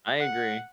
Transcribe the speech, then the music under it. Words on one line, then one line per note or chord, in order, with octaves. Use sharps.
I agree.
F#5